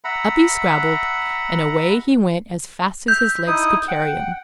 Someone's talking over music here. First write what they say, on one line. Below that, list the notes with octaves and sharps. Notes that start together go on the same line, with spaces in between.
Up he scrambled, and away he went as fast as his legs could carry him.
E5 F#5 A#5 B5
E5 G6
D#4 E4 D#6
F#5 G5